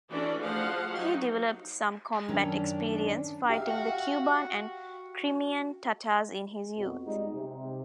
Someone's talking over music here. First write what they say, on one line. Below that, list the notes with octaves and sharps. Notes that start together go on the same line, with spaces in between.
He developed some combat experience fighting the Kuban and Crimean Tatars in his youth.
E3 C#4 D4 F#4 A4 D5
F3 A3 G#4 C5 F5 F#5
F#3 D#4 G4
F#2 D#3 C#4 D4
G4 E5 F5
F#4 F#5
F2 B2
G3 G#3 D#4
C3